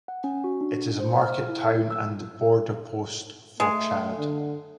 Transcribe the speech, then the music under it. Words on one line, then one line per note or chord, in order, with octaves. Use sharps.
It is a market town and the border post for Chad.
F#5
C#4
F#4
D4
C5
F6
E4
E6
G#3 A3
D3